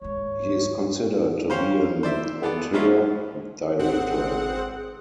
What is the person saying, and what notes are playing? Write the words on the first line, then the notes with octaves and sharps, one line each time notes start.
He is considered to be an auteur director.
D#2 G#2 C#5
C#4 C5 F5 G5
C5 D5 E5
B3 A4 D5
F3 F#3 A#3 C#4 E4 F4
G#1 C4 G#4 F#5